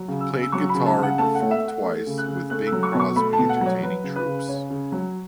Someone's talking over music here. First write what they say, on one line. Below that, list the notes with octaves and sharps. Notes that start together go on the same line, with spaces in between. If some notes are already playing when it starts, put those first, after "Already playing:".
He played guitar and performed twice with Bing Crosby entertaining troops.
Already playing: F#3
C#3
E6
C#3
E6
F#3 C#6
B5
C#3
A5
C#3
F#5
A3 A5
F#5
A3
E5
A3 F#5
A3
C#3
F#6
C#3
A3 F#6
E6
F#3
C#6
B2
C#6
A3 B5
A5
B2
F#5
F#3 C#5
F#3 B4
C#3
B4
C#3
C#3 C#5
C#3
F#3